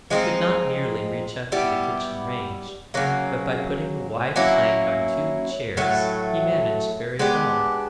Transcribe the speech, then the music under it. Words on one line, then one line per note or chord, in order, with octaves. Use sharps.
He could not nearly reach up to the kitchen range, but by putting a wide plank on two chairs he managed very well.
F3 G#3 C4 D#4
G3 B3 E4 G4
C#3 F#3 A#3
F#3 A#3 C#4 E4
A2 F#3 A3
G#3 B3 D4 G4